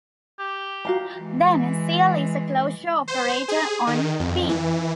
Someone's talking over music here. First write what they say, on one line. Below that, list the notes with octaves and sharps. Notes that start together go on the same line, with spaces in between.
Then cl is a closure operator on "P".
G4
F#4 F5 A#5
E3 G#3
C5
G#4
D#3
F2
E3